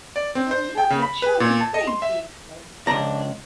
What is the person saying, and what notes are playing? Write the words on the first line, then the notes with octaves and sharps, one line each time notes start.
'What a lovely, charming thing!’ he exclaimed.
D5
C4
C5
G5
C#3
B5
B4
A#2
A5
D#5
C6
E5
C#2 F3 D4 A#5